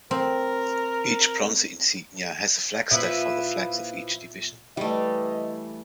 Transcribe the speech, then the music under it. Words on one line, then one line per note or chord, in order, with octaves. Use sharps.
Each bronze insignia has a flagstaff for the flags of each division.
C4 A#4
A#2 F3 E4 B4 E5
E3 G3 A3 D#5